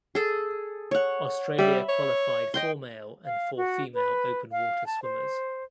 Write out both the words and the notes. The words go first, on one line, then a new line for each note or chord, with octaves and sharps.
Australia qualified four male and four female open water swimmers.
G#4 A4
C#5 F#5
G3 E5 B5
C#5
D#5 G5 C6
F5
F#4
B4
F5
A5
C5